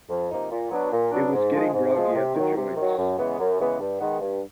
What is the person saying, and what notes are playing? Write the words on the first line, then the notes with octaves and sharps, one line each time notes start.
It was getting groggy at the joints.
F2
C3 F3 A#3 D#4
A#2
F#3 B3 D4
A#2
F#3 B3 D4
G#2
F3 G#3
G#2
F3 G#3
C3
D#3 F#3
C3
D#3 F#3
F#2
C#3 E3 G#3 B3
F#2
C#3 E3 G#3 B3
G2
D#3 G#3 B3
G2